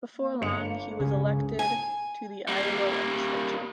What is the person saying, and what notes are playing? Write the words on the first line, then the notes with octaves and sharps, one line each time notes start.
Before long, he was elected to the Iowa Legislature.
A#3
G1 C#7 F7
C#2 C#3 G#4
G#5
G3 A#3